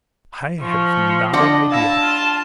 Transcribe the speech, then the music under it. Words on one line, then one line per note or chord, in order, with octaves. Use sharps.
"I have not an idea."
F3 C#6
D4 D#5 F#5 G5 C6 D6 A#6
E4 F5 A5 A#6
F4